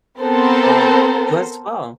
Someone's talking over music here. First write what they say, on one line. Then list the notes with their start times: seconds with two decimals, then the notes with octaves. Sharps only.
um, you as well.
0.19 B3 C4 A4 A#4 C5